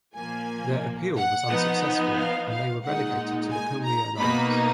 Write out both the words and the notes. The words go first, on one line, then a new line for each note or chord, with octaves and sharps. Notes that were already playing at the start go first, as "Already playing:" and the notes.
Their appeal was unsuccessful and they were relegated to the Cymru Alliance.
A#2 F3 A#3 G#5
F#5
F3 B3 D#4
F5
F5
A#2 G#3 D#4 F#5
G#5
A#5
B2 A#3 D#4 B5